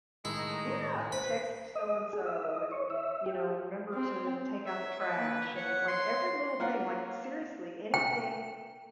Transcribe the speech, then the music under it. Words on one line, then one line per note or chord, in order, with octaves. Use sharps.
Yeah. "Text so and so," and, you know, "remember to take out the trash," and, like, every little thing, like, seriously, anything
A2 D#3 G#3 E4 A#4
B4 C5 B5
D#5
G#4
E5
D#5
C#5
E5
G4
C4
C#5 E5
B4 D#5
A#3
C#5 F#5
C6
A#3 F4 F#5
G5